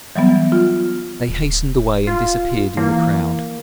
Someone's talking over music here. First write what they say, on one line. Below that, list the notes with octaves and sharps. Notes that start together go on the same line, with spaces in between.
They hastened away and disappeared in the crowd.
E3 F#3 G3 B3
F4
D1
F4
E3 A#3